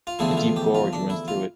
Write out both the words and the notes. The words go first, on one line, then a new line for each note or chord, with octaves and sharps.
A deep gorge runs through it.
F4
E2 D3 F3 A3 C4 E4
E4
F4
G4
F4
D4
E4
F4